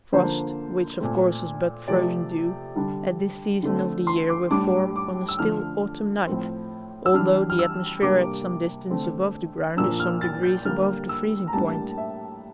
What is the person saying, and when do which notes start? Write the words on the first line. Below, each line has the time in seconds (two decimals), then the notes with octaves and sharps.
Frost--which of course is but frozen dew--at this season of the year will form on a still autumn night, although the atmosphere at some distance above the ground is some degrees above the freezing point.
0.13 D3 F3 A#3 D4 C5
1.00 A#2 A3 C4
1.88 C3 F3 A3 D5
2.76 D3 G3 D4
3.63 D3 A3 C4
4.07 C6
4.29 D6
4.51 A2 G3 D4 D6
4.96 D6
5.29 E6
5.39 D3 F3 A3 D4 F6
6.27 A2 F3 C4
7.06 E6
7.14 E3 G3 D4 F6
7.50 F6
7.59 E6
8.02 C3 G3 A#3 D4 D6
8.90 D3 A3 C4
9.77 A#2 F3 A#3 D4 E6
10.00 F6
10.21 A6
10.43 G6
10.65 D3 G3 A#3 F6
11.09 E6
11.48 A#5
11.53 A2 G3 A#3 D4 A5
11.98 E5